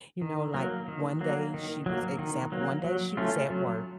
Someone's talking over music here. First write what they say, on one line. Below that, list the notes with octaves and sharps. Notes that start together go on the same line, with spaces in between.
You know, like, one day she was example, one day she was at work
D#3
F#3 A#3
D#3
F#3 A#3
D#3
F#3 A#3
D#3
F#3 A#3
F#3
A3 C#4 F4
F#3